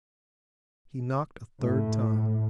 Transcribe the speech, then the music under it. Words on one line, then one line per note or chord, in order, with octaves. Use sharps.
He knocked a third time.
A2